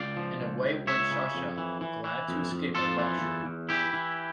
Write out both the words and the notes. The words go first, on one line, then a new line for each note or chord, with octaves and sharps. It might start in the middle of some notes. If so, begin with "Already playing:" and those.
And away went Sasha, glad to escape a lecture.
Already playing: C#2 D5 F5
F3
C#2
C#2
C#2 C#5 E5
C#3
F2
E3
E3
E3
F2
F2
F2 F4 A4
E3
E2
E2
E3 E4 G4
E3